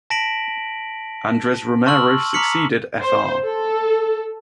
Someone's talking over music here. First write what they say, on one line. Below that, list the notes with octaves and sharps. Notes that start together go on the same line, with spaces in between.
Andres Romero succeeded Fr.
A5 A#6 B6 D7 F#7
A5 C6 C#6 E6 F6 F#7
A#5 D6 F6 B6 C#7 F#7
C5
A4